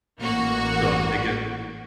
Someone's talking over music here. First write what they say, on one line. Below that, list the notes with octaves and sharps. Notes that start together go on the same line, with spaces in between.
so I'm thinking
A1 A#3 F#4